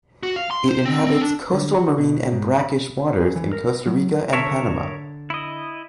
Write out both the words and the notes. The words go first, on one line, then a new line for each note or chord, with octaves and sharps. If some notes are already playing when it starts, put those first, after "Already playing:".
It inhabits coastal marine and brackish waters in Costa Rica and Panama.
F#4
F5
C6
C5
C4
C4
D4
D3
F#4
B2
G#2
B5
G#4
E3
A#4
F#3
D3 A#4 C#5 E5 A5
E4 D#5